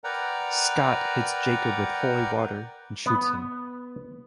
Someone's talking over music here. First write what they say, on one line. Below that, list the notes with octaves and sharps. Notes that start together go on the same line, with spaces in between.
Scott hits Jacob with holy water and shoots him.
A#4 B4 D5 F#5 G5 A#5
B3